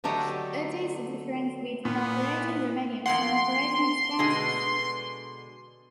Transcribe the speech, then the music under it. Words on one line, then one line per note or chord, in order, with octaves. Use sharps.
It is the difference between operating revenues and operating expenses.
D3 F#3 A3 G4 A4 D#5
A#2 B3
F2 A#3 F#5 C6
B2 D3 G#3